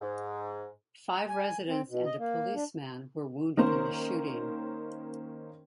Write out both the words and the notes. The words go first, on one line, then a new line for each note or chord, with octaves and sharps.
Five residents and a policeman were wounded in the shooting.
G#2
G#5
C4
B2
D#5
A#3
D4
D#3 A#3 C#4 A#4 C5